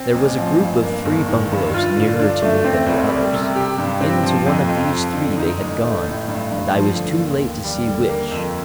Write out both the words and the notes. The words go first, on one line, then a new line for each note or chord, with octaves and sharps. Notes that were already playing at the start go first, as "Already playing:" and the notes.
There was a group of three bungalows nearer to me than the others. Into one of these three they had gone, and I was too late to see which.
Already playing: C4
A1
F3
G2
A#3
G1
D#3
G2
F4
D3
D4
A3
C4
C2
G3
C3
G4
G2
C4
F3
F2
F2
F3
D3
D#4
A1
A3
A2
G2
G2
F3
D3
D#2
D#2
G3
D3
A#3
F2